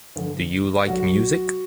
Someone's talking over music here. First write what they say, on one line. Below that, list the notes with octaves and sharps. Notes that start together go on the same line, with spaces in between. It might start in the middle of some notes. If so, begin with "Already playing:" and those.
Do you like music?
G2 D3 F3
B1 B2 F#3 F#4